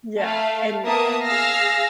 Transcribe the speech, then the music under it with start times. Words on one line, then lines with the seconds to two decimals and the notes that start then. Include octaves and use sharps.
Yeah, and
0.19 A3 F5
0.84 A#3 B3 E5 A5 D#6
1.23 G#4 F5 E6 F6 A#6 C7